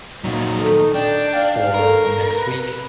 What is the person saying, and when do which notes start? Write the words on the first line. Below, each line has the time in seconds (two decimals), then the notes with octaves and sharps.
for the next week
0.24 A#2 F3 F#3 D#4
0.58 D#3 A3
0.94 D4 G5
1.35 F5
1.74 A3 A#4
2.37 B4